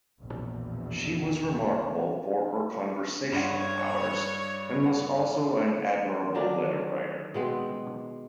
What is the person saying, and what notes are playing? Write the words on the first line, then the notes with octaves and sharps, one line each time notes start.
She was remarkable for her conversational powers, and was also an admirable letter-writer.
A#1 E2 B2
G2 F4 C#5 F#5
C#4 B4 F#5
D3 D#3 F#3 D4
B2 G#3 B3 C4